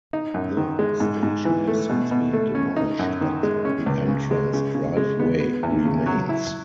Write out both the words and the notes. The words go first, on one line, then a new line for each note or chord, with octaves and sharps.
The station has since been demolished but the entrance driveway remains.
D#4
F#2
D#3
G#3
G#2
G#2
E3
A3
B2
B2
A3
C#4
D#4
F#2
D#3
G#3
C#4
C#2
C#3
G#3
C#3
C#3
G#3
B3
B3
E2
C#3
F#3
E4